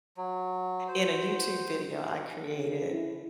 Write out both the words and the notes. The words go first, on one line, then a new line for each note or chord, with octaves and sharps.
in a YouTube video I created,
F#3
F#4 C5
C#3
E4